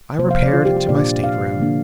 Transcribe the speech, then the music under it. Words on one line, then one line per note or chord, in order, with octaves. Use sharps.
I repaired to my stateroom.
C3 F3 A#3 C5
F5
D5
F4
G4
G4
A#2 A#3 D4 D5
F5
D3 F3 A#3 D4